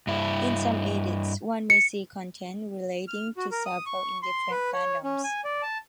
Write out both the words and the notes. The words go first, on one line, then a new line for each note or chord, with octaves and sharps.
In some edits, one may see content relating to several different fandoms.
G2 E4
C#7
F6
F#4
A#4
D#6
C#6
C6
B4
C#5
C#4
G#5
D5
A5